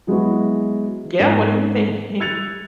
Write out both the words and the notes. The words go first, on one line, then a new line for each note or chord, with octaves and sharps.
Yeah, what do you thinking?
F#3 G#3 B3 E4 F#4
G#2
E6 F#6 G#6 A6 C#7 F7